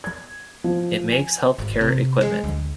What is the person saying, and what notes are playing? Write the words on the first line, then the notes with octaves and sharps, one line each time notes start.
It makes health care equipment.
G#6
F3
G#5
G#1
C3
G#3
D2